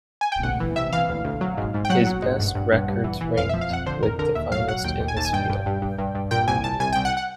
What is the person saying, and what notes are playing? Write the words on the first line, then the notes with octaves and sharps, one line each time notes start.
His best records ranked with the finest in his field.
G#5
G5
D2 F#5
E3
C3 E5
E3 F5
D2
D2
F#3
G#2
G#2
G5
F#3 F#5
F#3
G#2
G2
G2
G2
G2
E3
E3
F2 F5
F3 E5
F5
F2 F#5
D3 C5
F2 A#4
D3 A#4
D#2 E5
F#3 F5
F#3 F#5
D#2 G5
D#2
G#5
D#2 A5
G#5
G2 G5
G2
G2
G2
G2
G2
A#2 G5
C2 G#5
C2 A5
C2 G#5
C2 G5
F#5
F#5